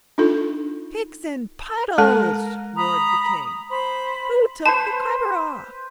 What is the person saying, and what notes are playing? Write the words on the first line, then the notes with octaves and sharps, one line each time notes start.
"Picks and puddles!" roared the King; "who took the cover off?"
D4 D#4 F4 A4
G#3 A4 A#4 A5
A#5 B5 D#6
C5 B5
B4 C5 A5